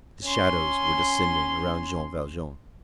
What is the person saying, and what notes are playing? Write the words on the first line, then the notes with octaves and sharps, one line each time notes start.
The shadows were descending around Jean Valjean.
C#4 C6